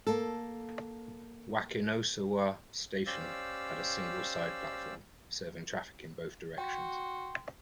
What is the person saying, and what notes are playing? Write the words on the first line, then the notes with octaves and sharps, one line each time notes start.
Wakinosawa Station had a single side platform, serving traffic in both directions.
A#3 A4
C#4 G4 C5 D5 F5 E6
F#4 G5 C6